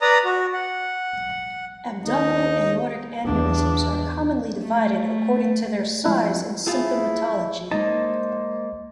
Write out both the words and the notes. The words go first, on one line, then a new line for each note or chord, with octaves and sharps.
Abdominal aortic aneurysms are commonly divided according to their size and symptomatology.
B4 D5 A#5 D#6
F#4
F#5
D#2 D#4
E2 D4
A3
F3 G#3 C4 E4
A3 E4 F4 G#4
G#3 A#3 D#4 C5 D#5 A5